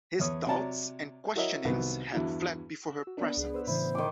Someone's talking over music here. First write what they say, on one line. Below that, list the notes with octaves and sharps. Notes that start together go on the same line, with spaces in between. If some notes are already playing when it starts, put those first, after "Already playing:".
His doubts and questionings had fled before her presence.
E2 C#5 D#6
C3 F#3 C#5 D5 A5 A#5
E4 F#4 A#4 C#5 D#5 E5
C2 D#3 F#3 B3
E2 G2 F#3 E4
F#4 E6
B3 D4 A#4
C#2 G#4
B4 C5 E6
A2 C#3 E3 E4 C5
D#3 C6 D6